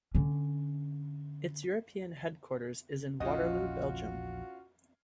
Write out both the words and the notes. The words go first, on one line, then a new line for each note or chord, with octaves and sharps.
Its European headquarters is in Waterloo, Belgium.
D3 C#4
A#1 E2 C#4 F4 F#4 D#5